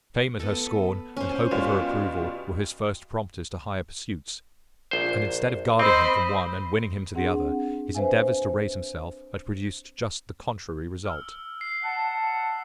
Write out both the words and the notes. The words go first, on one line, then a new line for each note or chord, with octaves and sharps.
Shame at her scorn, and hope of her approval, were his first prompters to higher pursuits; and instead of guarding him from one and winning him to the other, his endeavours to raise himself had produced just the contrary result.
B3 A4
C#4 C5
B2 G3 F4 C#5
A#1 C5
C4 C5 D#5 B5
C4 D4 G#4 F#5
B4 C5 E5 F5 G#5
E6 F6
C7
F#5 A5